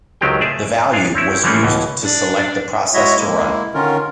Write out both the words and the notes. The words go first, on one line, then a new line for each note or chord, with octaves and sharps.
The value was used to select the process to run.
C#2 D#3 F#3 C4 G4 G5
A3 G#4 D5 E5
D4 G#4 F5
C4 C#4 E4
E3 F3 G3 A3 A#3 C#4
C#2 B2 E3
D4
G#3 E4 F#4 C#5 D#5 E5
G#3 A#3 E4
D3 D#3 C#4 F4 A#4